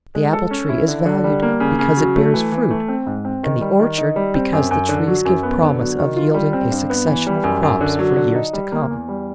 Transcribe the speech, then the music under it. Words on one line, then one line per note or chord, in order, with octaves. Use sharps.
The apple-tree is valued because it bears fruit, and the orchard because the trees give promise of yielding a succession of crops for years to come.
G#3
A4
C#4
E4
D3
D3
G3
A#3
C#3
C#3
F#3
A3
E3
E3
A3
C4
G#2
C4
D#3
G3
D#3
D#4
G3
C4
F#2
F#2
D3
F#3
F#2
B3
D3
F#3
D#3
F4
G3
C4
G2
B3
E3
G3
F#2
F#2
D3
F#3
D3
D#4
G3
A#3
E2
G3